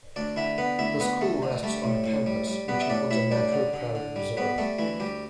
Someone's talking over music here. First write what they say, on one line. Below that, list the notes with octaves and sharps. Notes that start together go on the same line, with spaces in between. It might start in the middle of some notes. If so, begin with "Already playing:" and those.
The school rests on a campus which includes a natural prairie reserve.
D2 D4 D5
D3 E4 E5
D3 B3 B4
D2 E4 E5
D2 B3 B4
D2 A3 A4
D3
G3 A3 A4
A2
A2
G3
G3
G3 B3 B4
E5
A2 D4 D5
A2 E4 E5
G3 D4 D5
D3
D3
D3
G3
G3 B3 B4
G3 A3 A4
D2 E3 E4
D2 G3 G4